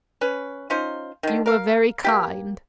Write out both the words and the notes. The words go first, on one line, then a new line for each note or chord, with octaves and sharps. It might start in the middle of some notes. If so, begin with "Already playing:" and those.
You were very kind.
C#4 B4
C#4 D#4 F4 C5
D3 D#3
A#4 F5
A#3 D#4 G4